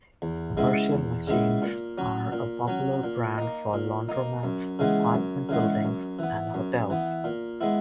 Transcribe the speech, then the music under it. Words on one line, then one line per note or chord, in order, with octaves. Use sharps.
Its commercial machines are a popular brand for laundromats, apartment buildings, and hotels.
E2
C#3 G#3 B3 E4
E2
C#3 G#3 B3 E4
A#2
F#3 C#4
A#2
F#3 C#4
A#2
A#3 D#4
A#2
A#3 D#4
F#2
C#3 E3 G#3 B3
F#2
C#3 E3 G#3 B3
F#2
E3 B3
F#2
E3 B3
A#2
G#3 B3 E4